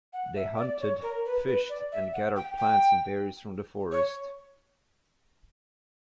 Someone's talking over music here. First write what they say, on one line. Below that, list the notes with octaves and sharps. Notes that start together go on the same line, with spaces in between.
They hunted, fished and gathered plants and berries from the forest.
F#5
E5
D5
C#5
A#4
B4
B4
D5
E5
F#5
G5
G5
C#5